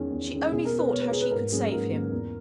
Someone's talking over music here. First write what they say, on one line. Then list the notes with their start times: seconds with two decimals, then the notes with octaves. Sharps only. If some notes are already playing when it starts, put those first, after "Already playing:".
She only thought how she could save him.
Already playing: E2 D#3 G#3 C#4
0.11 E2
0.32 D#3 G#3 C#4
0.52 B2 G#4
0.65 A#4
0.72 G#3 B3
0.78 B4
0.92 B2 C#5
1.01 B4
1.11 G#3 B3 G#4
1.22 B4
1.31 G#2 A#4
1.52 F#3 A#3 C#4 G#4
1.71 G#2 A#4
1.92 F#3 A#3 C#4
2.12 E2